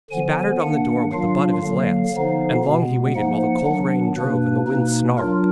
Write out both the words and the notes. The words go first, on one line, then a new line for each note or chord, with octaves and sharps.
He battered on the door with the butt of his lance; and long he waited, while the cold rain drove and the wind snarled.
D3 F3 B3 G#5
D#3 A#3 D4 F#5
D#3 F#3 D4 F4 F5
D3 F#3 A#3
D3 F3 B3 D#4
B2 G#3 B3
F3 A#3 D#4 F#5
D#3 F#3 B3 D4
B2 A#3 D4 B4
B2 A#3 D#4
F#3 D4 F4 A#4